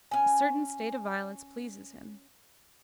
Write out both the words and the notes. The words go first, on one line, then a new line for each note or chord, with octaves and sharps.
A certain state of violence pleases him.
C#4 G#5